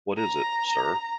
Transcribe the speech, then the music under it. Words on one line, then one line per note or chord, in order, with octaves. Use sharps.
What is it, Sir?
A#5